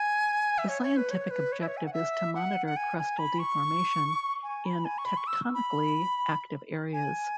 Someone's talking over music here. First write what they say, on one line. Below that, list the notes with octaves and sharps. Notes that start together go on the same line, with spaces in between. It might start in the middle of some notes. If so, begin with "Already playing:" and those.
The scientific objective is to monitor crustal deformation in tectonically active areas.
Already playing: G#5
E5
C#5
C#5
B4
C#5
B4
C#5
E5
C#5
G#5
F#5
E5
F#5
F#5
G#5
G#5
B5
C#6
G#5
B5
G#5
C#6
B5
C#6
E6
B5
G#5